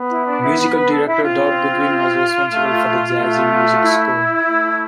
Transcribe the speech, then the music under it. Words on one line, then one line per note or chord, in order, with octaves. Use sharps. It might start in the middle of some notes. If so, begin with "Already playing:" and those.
Musical director Doug Goodwin was responsible for the jazzy music score.
Already playing: B3
E4
D4
E4
B4
B4
A4
E4
C4 F4
A3
A3
E4
A3